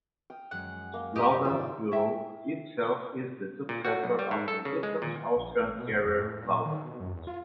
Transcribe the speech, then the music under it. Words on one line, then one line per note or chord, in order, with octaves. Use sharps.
Lauda Europe itself is the successor of the defunct Austrian carrier Lauda.
G5 D#6 F6
F#2 F#3 G#3 F#5
A#3
A#3 C4 G4 A#4 D#5 E5 F#5
G#2 D#3 E3 F4 C5 D5 E6
E4 E5 G5
A#2
F#4
B1
G3
G#2
A4
C#3
G#3
A#2
A#1
A1
B2
G1
F2
A2
A#2
D#3
B2
F#2
E2
F4